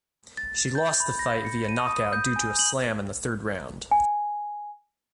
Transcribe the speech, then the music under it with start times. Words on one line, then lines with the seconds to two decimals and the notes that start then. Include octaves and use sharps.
She lost the fight via knockout due to a slam in the third round.
0.37 A6
0.75 G6
1.00 B5
1.19 A#6
1.45 C#7
1.69 D#7
1.87 D#6
2.13 G6
2.36 G#5
2.59 F#7
3.91 G#5